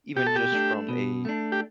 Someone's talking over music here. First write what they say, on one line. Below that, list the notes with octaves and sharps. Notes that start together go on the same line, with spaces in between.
even just from a
B2 G4
A4
G4
A3 D4
B2
A3 D4
G4